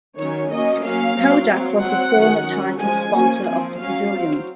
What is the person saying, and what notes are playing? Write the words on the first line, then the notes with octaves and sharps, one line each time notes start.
Kodak was the former title sponsor of the pavilion.
D#3 F#3 C#4 C#5
F#3 A#3 C#4 D#5
F#3 A#3 C#4 F5
F#3 C4
F#3 C4
F#3 C4 F#5
D#3 F#3 C#4
F#3 C#4
F3 G#3 C#4 G#5
F3 A#3 C#4
F3 C4
F#3 C#4 F5
F#3 C4